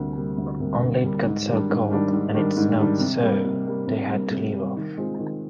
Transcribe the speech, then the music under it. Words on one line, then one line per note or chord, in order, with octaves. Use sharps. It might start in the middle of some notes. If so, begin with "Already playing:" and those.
Only it got so cold, and it snowed so, they had to leave off.
Already playing: D2 C3 G3 A#3
C3 G3 A#3
D2
C3 G3 A#3
D2
C3 G3 A#3
G#2
D#3 G3 D4
G#2
D#3 G3 D4
G#2
D#3 G3 D4
G#2
D#3 G3 D4
C3
G3 A#3
C3
G3 A#3
C3
G3 A#3
C3
G3 A#3
D#3
G#3 C4 F4
D#3